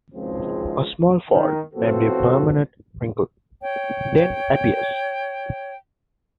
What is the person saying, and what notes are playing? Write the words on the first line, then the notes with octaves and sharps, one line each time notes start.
A small fold, namely a permanent wrinkle, then appears.
G#1 C#2 F3 G#3 C4
D#3
A2 F3 B3 C4 F#4 A4
C#5 G5